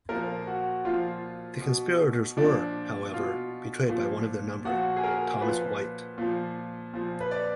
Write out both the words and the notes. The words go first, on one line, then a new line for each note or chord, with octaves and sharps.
The conspirators were, however, betrayed by one of their number, Thomas Whyte.
A#2 F3 A#4
F#4
A#2 F3 F4
B2
A#2 F3 D4
B2 F4
A#2 F3
A#2 F3 F#4
G#4
A#4
A#2 F3 B4
A#2 F3
A#2 F3
B4
D5